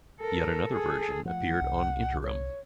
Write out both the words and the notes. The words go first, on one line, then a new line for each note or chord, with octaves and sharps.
Yet another version appeared on "Interim".
A4 A#4
G#4 A4
F3 A3 F#5
C2 C3
C#5